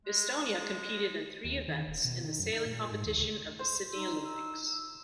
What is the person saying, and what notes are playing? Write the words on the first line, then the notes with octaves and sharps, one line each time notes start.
Estonia competed in three events in the Sailing competition of the Sydney Olympics.
G#3
D#2
D#3
D#1
B2
D#3
F#2
D#4
A#2
G#2
D#2
C#2
C5
D#4 E6
E6
E6